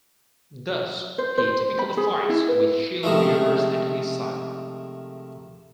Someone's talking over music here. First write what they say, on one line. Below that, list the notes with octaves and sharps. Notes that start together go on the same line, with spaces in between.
Thus, he typically fights with shield bearers at his side.
C5
C5
B5
G#4
E4
B4
C3 D#3 F3 G#3 A3